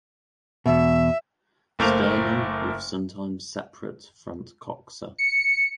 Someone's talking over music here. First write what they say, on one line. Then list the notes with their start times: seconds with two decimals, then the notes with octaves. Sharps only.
Sternum with sometimes separated front coxa.
0.66 E2 B2 E5
1.79 F#1 A3 A#3 C5 F7
5.18 C#7